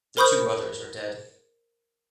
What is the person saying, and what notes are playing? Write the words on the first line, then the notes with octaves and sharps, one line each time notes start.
The two others are dead.
A#4 C5 B5 C#6 D#6 G6